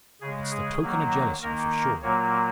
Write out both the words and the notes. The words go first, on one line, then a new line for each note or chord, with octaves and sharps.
It's the token o' jealousy for sure.
C#3 G#3 G#4
G#4
D#3 F#3 A#3
D#3 A#3 A#4
A#2 F#3 A#3 C#5